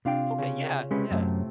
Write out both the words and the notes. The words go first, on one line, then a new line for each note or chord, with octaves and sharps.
Okay, yeah, yeah.
C3 D4 F4 F5 G5
C#3
C3 G#3 C#4 B4
F#2 A2 A3 C4